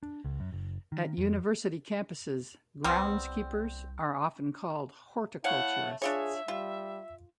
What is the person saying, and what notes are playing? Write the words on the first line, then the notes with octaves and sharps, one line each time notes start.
At university campuses, groundskeepers are often called horticulturists.
D4
C#2
F#2
F#1
D#3
F2
C2 G3 B3 C4
A3 E4 C#5 F5 F#5
D4 F4 G#4 C#5 E5
G3 F4